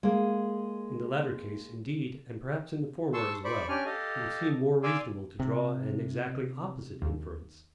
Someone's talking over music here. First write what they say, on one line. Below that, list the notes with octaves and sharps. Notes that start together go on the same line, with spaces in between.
In the latter case, indeed, and perhaps in the former as well, it would seem more reasonable to draw an exactly opposite inference.
G#3 A#3
A5 C6 C#6 E6
C5 D5 B5 C#6
C#4 D4 G4 D5 G#5 F6
G4 A4 D#5 F5
D5 F5 G#5 C6 D6 E6
C3
D#2